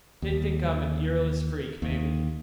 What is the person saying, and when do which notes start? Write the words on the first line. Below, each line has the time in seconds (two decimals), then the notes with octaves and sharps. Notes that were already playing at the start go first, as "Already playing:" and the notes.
They think I'm an earless freak, maybe.
0.22 D#2
1.82 D#2